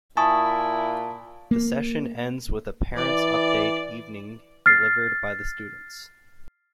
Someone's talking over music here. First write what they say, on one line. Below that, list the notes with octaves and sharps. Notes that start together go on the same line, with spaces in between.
The session ends with a parents update evening- delivered by the students.
A#2 E4 G#5 A5 C#6 D#6
A#3
E3 D5
F6 A6 C7